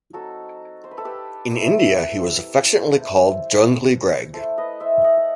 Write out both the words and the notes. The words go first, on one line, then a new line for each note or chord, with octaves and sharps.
In India, he was affectionately called "Jungly" Greig.
F#3 C4 D#4 F#4 A4
C5
B4
A4
G4 B4
F#3 C4 E4
G3 C4 E4 A4 C5
A3 E4 A4 C5
B4 D#5
C5 E5
D#5 F#5